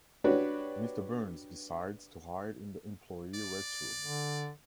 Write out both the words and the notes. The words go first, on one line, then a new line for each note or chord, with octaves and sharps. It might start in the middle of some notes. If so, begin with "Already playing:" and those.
Mister Burns decides to hide in the employee restroom.
D4 F#4 G4 B4 C#5 D5
D5
D3